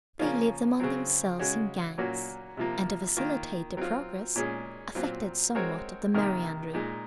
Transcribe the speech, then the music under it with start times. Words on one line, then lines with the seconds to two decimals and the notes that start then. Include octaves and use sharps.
They lived among themselves in gangs, and to facilitate their progress, affected somewhat of the merry-andrew.
0.19 C#3 F3 A#3 C#4 F4
0.80 C#3 F#3 C4
1.39 C#3 G#3 C#4 F#4
1.98 A#2 F#3 A#3 C#4 F#4
2.57 C3 F3 A#3 F4
3.17 D#3 A#3 F4
3.77 F#3 C4 F4
4.36 A#2 G#3 C#4 G#4
4.95 A#2 F#3 C4 F4
5.55 G#3 C4 F#4 A#4 C#5
6.14 C3 D#3 A#3 D#4 A#4
6.74 A#2 G#3 D#4